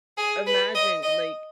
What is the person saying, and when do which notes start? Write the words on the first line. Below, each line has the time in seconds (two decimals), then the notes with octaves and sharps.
imagine, like,
0.18 G#4
0.47 B4
0.75 D#5
1.03 D#5